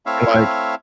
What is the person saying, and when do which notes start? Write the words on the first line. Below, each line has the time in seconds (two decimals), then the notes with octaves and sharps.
and, like,
0.06 A3 C4 E4 C#5 E5 F5